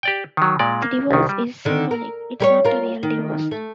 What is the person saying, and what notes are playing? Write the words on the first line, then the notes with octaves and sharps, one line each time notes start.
The divorce is symbolic, it's not a real divorce.
G4 D5 G5
D#3 F#3
A#2 G#3 D5
A#3
C2 D#3
G3
D3 D#3
A#4
G3 A#4 C#5
F4 A#4
D#3
A3